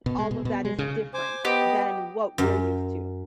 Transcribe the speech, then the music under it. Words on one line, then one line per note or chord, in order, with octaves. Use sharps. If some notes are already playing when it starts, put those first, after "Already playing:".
all of that is different than what we're used to.
B2
G#3
B2
B2
G#3
C#3
C5 G#5 D6
B3 G4 D#5
F#2